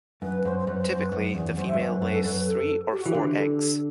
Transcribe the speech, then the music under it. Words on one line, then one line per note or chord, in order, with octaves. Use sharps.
Typically, the female lays three or four eggs.
F#2 B4
F#2 C5
C5
F#2 B4
C5
F#2 C5
B4
F#2
E2
F#2 C5
E5
G2
F#2 C5
B4
F#2 B4
A4
F#2 B4
B4
A4
G4
F#4
E3
G4
D3
A4